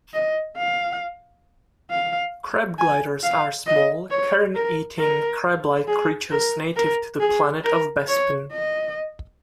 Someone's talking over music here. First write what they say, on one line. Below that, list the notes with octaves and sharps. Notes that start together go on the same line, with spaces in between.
"Crab gliders" are small, carrion eating crablike creatures native to the planet of Bespin.
D#5
F5
F5
G#5
F5
D#5
C#5
A#4
A#4
G#4
A#4
A#4
G#4
A#4
C#5
D#5